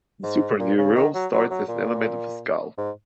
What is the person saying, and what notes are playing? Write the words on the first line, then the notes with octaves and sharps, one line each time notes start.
The supraneural starts as an element of the skull.
G#2
A#2
C#3
D#3
F#3
F#3
F#3
A#2
G#2